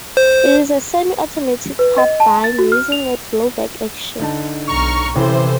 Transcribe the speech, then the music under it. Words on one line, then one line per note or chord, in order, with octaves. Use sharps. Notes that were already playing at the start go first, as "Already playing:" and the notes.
It is a semi-automatic carbine using a blowback action.
C5
B4
D#5
A5
A6
F#4
F6
F7
D3 D#4 A5
B1 A#5 C#6 F6
A1 C3 E3 E4 A4 C5